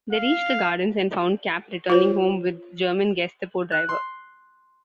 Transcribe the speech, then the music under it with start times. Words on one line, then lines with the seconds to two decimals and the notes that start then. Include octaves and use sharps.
They reached the gardens and found Kapp returning home with a German Gestapo driver.
0.12 F5
1.90 F4 C5 C#5
3.72 F#6
3.89 C6